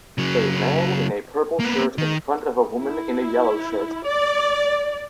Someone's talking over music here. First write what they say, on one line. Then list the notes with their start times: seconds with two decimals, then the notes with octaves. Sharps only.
A man in a purple shirt in front of a woman in a yellow shirt.
0.18 C#3 F#3
1.60 A#3 B3
1.98 D#3
2.80 E4
4.05 D5